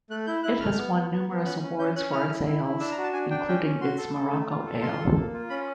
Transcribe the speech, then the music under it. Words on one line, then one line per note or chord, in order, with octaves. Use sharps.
It has won numerous awards for its ales, including its Morocco Ale.
A3 F#6
E4 G6
E4 F#6
A3 F6
B3
B3
B3
B3
C#4 F#6
C#4
C#4 G6
C#4 F#6
E4 F6
E4
E4
E4
D4 E6
A#5
F#4
A5
D4 G#5
D4 G5
C#4 G5
C#4
F#4 C6
A4
A4
A3
F4
A4
F4 C6
A4
A#3
F4
C#4 B5